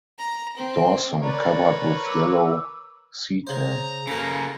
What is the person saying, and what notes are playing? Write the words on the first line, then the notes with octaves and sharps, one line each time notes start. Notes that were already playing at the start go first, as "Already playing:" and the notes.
Dorsum covered with yellow setae.
A#5
C4
A#4 B4 C#5 D5
D6 E6
C#3 C5 A#5
C#3 A#3 A4 B4